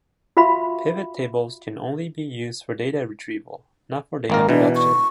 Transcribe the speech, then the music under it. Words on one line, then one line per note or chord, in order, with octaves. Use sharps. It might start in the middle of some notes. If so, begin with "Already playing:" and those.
Pivot tables can only be used for data retrieval, not for data production.
F4 F#4 E5 F5 B5 C#6
G#1 A#3 A#4
B2 E3 D4
C#6